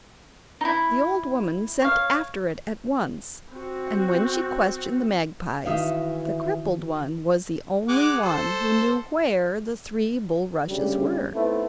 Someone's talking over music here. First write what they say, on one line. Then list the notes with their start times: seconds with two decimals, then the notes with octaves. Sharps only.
The old woman sent after it at once, and when she questioned the magpies the crippled one was the only one who knew where the three bulrushes were.
0.61 D#4 E4
1.82 C#5 F5
3.52 C4 F#4
5.66 D#3 E3 D#4 F#4 E5 F5
7.88 G#3 F#5 D6
8.22 A4 C5
10.67 D2 C#3 G3
11.34 A3 B3 C4 D#4 E4